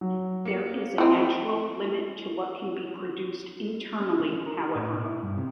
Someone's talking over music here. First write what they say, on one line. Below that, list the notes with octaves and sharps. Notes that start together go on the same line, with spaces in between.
There is a natural limit to what can be produced internally, however.
F#3
A#3 C#7
E3 C4 D#4
C#4
E3
C#4
A#4
G4
A2
B2
E4
G2
C3